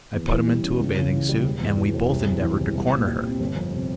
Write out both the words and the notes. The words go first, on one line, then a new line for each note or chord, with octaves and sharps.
I put him into a bathing suit, and we both endeavored to corner her.
E2
E3
G3
C#4
C#2
C#3
E3
G3
E1
E2
E3
E1
C2
C3
E3
C2
C2
A#2
G3
C4
G1
F2
C3